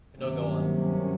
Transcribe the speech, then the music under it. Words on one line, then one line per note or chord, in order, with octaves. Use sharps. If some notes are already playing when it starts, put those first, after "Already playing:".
No, go on.
G2 C3 D#3 F#3 A#3 C#4